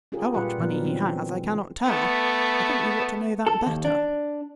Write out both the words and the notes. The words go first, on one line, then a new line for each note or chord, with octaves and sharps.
How much money he has I cannot tell; I think you ought to know that better.
C#4 F4 G4 G#4 A#4
A#2 G3 F4 G4 B4 F#5
A#2 D#3 F3 F#3 B3 A#4
D3 E3 F#3 C4 C#4
A3 B3
A4
D#2
D4